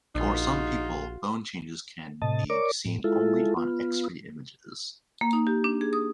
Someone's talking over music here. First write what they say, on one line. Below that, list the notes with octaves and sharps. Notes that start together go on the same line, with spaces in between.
For some people, bone changes can be seen only on X-ray images.
A#1 D#4 F4 F#4
A2 C3 D#5 A5
A#4 C#5 D5 D6
A2
G#3 E4 F4 A4
B3 F4
A#3
D#4
G4
D4
G#4
D#6